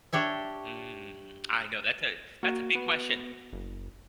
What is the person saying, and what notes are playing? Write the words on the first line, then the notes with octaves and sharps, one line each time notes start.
Mm, I know that's a, that's a big question.
D4 G4 C#5 E5
A#3 F#4
B3
F#1